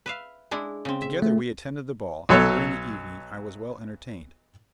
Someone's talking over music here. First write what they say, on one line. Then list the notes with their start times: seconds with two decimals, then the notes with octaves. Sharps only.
Together we attended the ball, and during the evening I was well entertained.
0.06 B4 E5 F5
0.51 G#3 D4 E4
0.85 C#3 C4
1.02 E5
1.22 A3
2.29 B1 F#3 A4 C#5